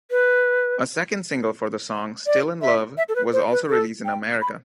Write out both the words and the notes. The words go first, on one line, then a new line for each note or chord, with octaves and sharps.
A second single for the song "Still in Love" was also released in America.
B4
D5
E5
E5
A4
B4
C5
B4
A4
G5
B5